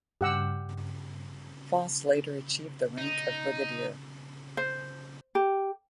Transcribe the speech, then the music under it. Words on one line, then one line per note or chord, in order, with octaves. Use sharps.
Foss later achieved the rank of brigadier.
G2 C#3 G4 F#5 E6
D#4
C5
G4